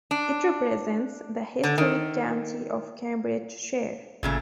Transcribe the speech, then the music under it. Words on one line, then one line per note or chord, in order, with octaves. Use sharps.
It represents the historic county of Cambridgeshire.
D4
D3
D#3
G#1 A#2 C#3 A3